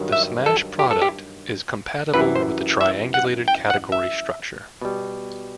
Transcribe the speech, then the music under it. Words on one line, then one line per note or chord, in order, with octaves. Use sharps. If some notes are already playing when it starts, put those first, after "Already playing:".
The smash product is compatible with the triangulated category structure.
Already playing: G2 D#3 F#3
E5
A4
G4
A4
G4
F#2 E3 G3 B4
C5
E5
F#5
G5
F#5
E5
B2 G3